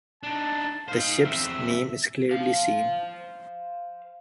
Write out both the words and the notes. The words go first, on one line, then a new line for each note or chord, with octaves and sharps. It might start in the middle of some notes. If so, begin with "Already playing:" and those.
The ship's name is clearly seen.
D4 D#4 A5
D#4 C5 F5
E2 C4 E5
C5 F5